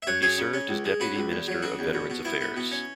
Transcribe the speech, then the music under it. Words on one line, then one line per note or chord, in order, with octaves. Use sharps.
He served as Deputy Minister of Veterans' Affairs.
E5
F#2 C#5 F#5
F#3 G#4 C#5
C#3
C#4
C#2
G#3
C#3 F#4 B4
C#2
E2
F#3
C#3 F#4
E2
B2
B2
B3 E4
B3
B2
C#4